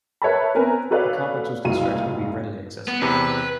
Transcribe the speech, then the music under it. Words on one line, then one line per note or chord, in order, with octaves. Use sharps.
The complex was constructed to be readily accessible.
A#4 B4 C#5 E5 A5 B5
B3 C4 A#4 B4 G#5 A#5
F#4 A4 B4 C#5 D5 F5
F#1 C2 F4 F#4 F5 D#7
B3
E2 C3 B4